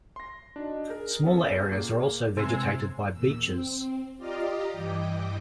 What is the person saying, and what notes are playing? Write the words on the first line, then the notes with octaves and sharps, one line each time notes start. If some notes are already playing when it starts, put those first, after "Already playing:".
Smaller areas are also vegetated by beeches.
C6 A#6
D4 D#4 F#4
G#4 A#4
B3 C#4 A4
A#2 A#3
C3 G#3 B3 C#4 E4 C6 E6
E2 A#2 E6
C4
F4 G4 D5 D#5 F5 A#5
G2 E3 D#5 G5 D6